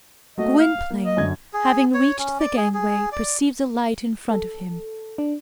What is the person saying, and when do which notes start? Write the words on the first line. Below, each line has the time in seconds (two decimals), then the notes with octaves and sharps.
Gwynplaine, having reached the gangway, perceived a light in front of him.
0.38 A3 A#3 F#4 D#5
0.59 F5 F6
0.90 A#3
1.05 D#5
1.17 F#2 D3 G#6
1.53 G#4
1.94 C#5
2.18 C#4
2.39 D5
2.57 G#4
2.74 G#4
3.12 D5
4.31 A4
5.18 D4